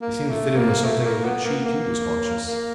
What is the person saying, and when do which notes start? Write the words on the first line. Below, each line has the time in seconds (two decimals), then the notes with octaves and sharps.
They seemed to fit in with something of which she too was conscious.
0.01 A#3
0.29 A3
0.56 A#3
0.84 A3
1.05 A#3
1.24 B3
1.45 A#3
1.66 A#3
2.48 A#3